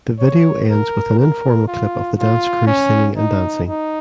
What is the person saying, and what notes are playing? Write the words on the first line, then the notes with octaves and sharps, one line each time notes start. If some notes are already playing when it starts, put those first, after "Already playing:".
The video ends with an informal clip of the dance crew singing and dancing.
C#5
A#4
A#4
F4
F4
C#4
D#4
D#4